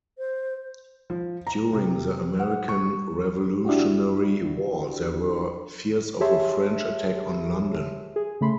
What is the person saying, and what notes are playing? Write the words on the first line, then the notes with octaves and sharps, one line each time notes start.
During the American Revolutionary War there were fears of a French attack on London.
C5
F3
A#5
C3
F#5
C#6
D4 E4 F#4 G4
G4 G#4 C#5 E5 A5 C6
G#4
C#3 A3 B5 C6